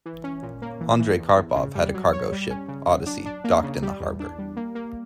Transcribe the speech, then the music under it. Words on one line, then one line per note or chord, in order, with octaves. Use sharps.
Andrei Karpov had a cargo ship, Odyssey, docked in the harbor.
E3
C#4
A#2
A#3
E3
E3
E2
E2
C#3
G3
F#3
C#5
G3
C#4
C#3
F#3
D4
D4
A#3
C#3
G3
E2
D4
G3
A#3
A#3